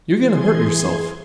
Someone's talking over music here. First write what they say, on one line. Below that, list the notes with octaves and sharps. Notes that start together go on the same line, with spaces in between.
You're going to hurt yourself.
E3 G#4 C6 G#6